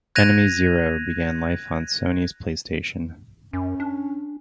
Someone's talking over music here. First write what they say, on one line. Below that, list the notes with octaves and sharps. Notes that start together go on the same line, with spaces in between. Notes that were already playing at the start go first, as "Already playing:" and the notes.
"Enemy Zero" began life on Sony's PlayStation.
F#6 G#6 A#6 D#7 F7
F#2 C#4
D4